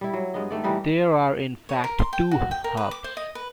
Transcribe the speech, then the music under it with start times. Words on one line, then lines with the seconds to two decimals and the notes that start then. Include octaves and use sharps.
There are in fact two "hubs".
0.01 G3 E4
0.13 F#3
0.34 G2 G#3 B3 D#5
0.50 D#3 A3 D5
0.63 E3 G3 D#4 B4
1.69 C#5
1.84 A#4
1.99 C6
2.13 G5
2.31 F#4
2.51 G5
2.64 A#4
2.77 B4
2.91 D6
3.04 C5
3.17 D#5
3.35 B4